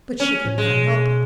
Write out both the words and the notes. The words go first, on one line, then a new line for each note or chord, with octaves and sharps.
But she could not help it.
C#4
A2
G#3
B2